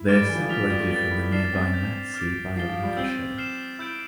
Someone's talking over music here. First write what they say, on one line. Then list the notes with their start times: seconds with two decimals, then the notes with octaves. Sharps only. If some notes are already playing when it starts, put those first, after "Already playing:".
They are separated from the nearby Mattsee by a watershed.
Already playing: E4
0.08 A3 D6 F6 A6 D7
0.22 G3
0.29 E3
0.35 F3
0.49 F3 F6 B6 F7
0.60 F3
0.70 G3
0.80 A3
0.91 B3 A6 D7 G7
1.11 E4
1.32 D4 F6 C7 E7
1.53 C4
1.73 G6 B6 F7
2.14 D6 F6 A6 D7
2.56 F3 A6 C7 G7
2.69 F3
2.84 G3
2.97 C4 E6 G6 C7 G7
3.38 F6 C7 E7
3.79 E4 E6 G6 D7